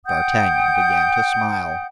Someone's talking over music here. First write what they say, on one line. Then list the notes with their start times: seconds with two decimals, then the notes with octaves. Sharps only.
D'Artagnan began to smile.
0.06 F#5 G5 D#6 G6